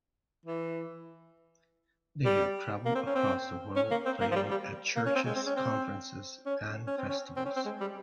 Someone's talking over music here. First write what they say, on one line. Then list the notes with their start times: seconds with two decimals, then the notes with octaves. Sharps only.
They have traveled across the world, playing at churches, conferences, and festivals.
0.45 E3
2.25 G3
2.85 A#3
2.95 C4
3.06 C#4
3.15 C4
3.76 C#4
3.91 A#3
4.06 C4
4.21 A#3
4.31 F3
4.36 G3
4.51 G3
4.96 A#3
5.06 C#4
5.15 C4
5.26 G#3
5.35 C4
5.46 C#4
5.56 C4
6.46 C#4
6.87 C#4
6.98 C4
7.09 C#4
7.36 C4
7.45 C#4
7.56 C4
7.66 G#3
7.80 G3